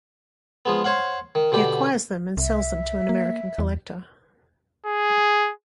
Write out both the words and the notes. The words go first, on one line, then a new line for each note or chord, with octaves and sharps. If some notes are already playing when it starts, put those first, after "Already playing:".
He acquires them and sells them to an American collector.
F3 G#3 B3
C5 C#5 F5 F#5
D#3
B2 D3 G4 B5
C2 E5
A#3
E2
G#4